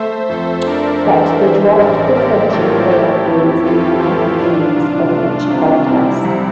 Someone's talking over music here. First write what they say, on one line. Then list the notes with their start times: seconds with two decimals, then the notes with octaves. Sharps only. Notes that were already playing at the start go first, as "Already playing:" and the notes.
But they dropped the clinching playoff games in the ninth innings of each contest.
Already playing: A3 C5 E5
0.29 F2 A4 C5
0.66 D4 A#4 D5
1.04 E3
1.40 E3 C5 E5
1.78 A1 A#4 D5
2.15 A#3 G4 A#4
2.52 A2 F4 A4
2.90 A3 E4 G4
3.27 F2
3.64 C4 F4 A4
4.01 E3 E4 G4
4.38 E3 D4 F4
4.76 C2
5.13 A3
5.50 C3
5.87 G3 C4 E4
6.25 C2